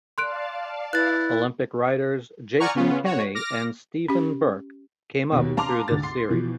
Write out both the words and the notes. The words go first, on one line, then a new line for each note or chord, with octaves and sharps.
Olympic riders Jason Kenny and Steven Burke came up through this series.
D5 F5 A5 C6 F#6 D7
E4 B4 F#6 A6
D5 F#5 G#5 A#5 C#6 F6
C#3 B3 C#4 F4
F#4 C#5
D6 F6 A#6
C#4 G4
D#2 B2
F5 A5 A#5 C6 D6 F7
D2 G#2 A6
C6 C7
B2 E3 F3